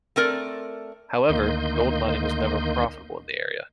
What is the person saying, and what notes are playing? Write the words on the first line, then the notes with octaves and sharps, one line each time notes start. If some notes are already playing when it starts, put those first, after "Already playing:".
However, gold mining was never profitable in the area.
A3 C4 A#4 D5
D2 D#3 A#3 D#5 C6 G6